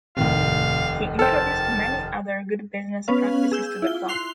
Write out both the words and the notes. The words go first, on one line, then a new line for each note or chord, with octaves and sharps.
He introduced many other good business practices to the club.
F1 D#2 A2 C3 F5
A4 C5 G5 A5 F6
B3 C#4 B4 F5
G#4 E6 G6
E4 F4 G7
C6 F#6 C7 F7 G7